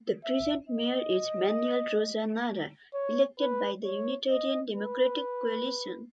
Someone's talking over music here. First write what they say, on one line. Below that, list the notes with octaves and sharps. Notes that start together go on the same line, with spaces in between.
The present Mayor is Manuel Rosa Narra, elected by the Unitarian Democratic Coalition.
E5
D#5
C#5
B4
C#5
D#5
B4